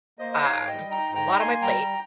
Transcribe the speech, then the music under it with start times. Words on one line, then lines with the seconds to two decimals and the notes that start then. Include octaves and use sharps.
um, a lot on my plate.
0.19 A#3 C5 D#5
0.32 D#5
0.37 D#4
0.43 C#5 F5
0.54 G#2
0.67 D#5 G5
0.74 G3
0.91 D#4 G5 A#5
1.09 G#2
1.15 G5 A#5
1.26 D#4
1.38 G#5 C6
1.45 A#3
1.62 G3 G5 A#5
1.80 G3